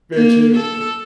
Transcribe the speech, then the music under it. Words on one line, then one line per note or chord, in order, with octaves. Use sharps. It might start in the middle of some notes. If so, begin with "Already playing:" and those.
Very true.
A#3
A4